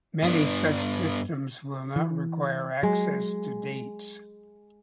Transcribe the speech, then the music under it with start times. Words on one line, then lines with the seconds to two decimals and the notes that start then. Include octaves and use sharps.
Many such systems will not require access to dates.
0.22 G2 B3 D4
1.96 E3
2.83 F#3 G#3